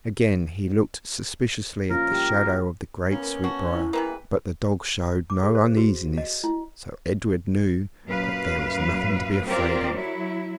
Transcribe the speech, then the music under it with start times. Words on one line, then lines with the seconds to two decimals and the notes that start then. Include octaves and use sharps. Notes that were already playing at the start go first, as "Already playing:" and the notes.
Again he looked suspiciously at the shadow of the great sweetbrier, but the dog showed no uneasiness, so Edred knew that there was nothing to be afraid of.
1.91 A#3 C#4 F4 A#4
2.12 G4
3.10 F#2 A#3 B3 C#4
3.44 F#4 E5 A5
3.75 E4
3.93 C3 E3 G#3 A#3 G4 B4
5.30 D6
5.43 G#4
5.55 C5
5.77 F#4
6.18 D#5
6.44 E4
8.05 F#2 A#2 B4 F5
9.45 C4 F4 G4 A#4 C5 D5
9.92 F#3 E4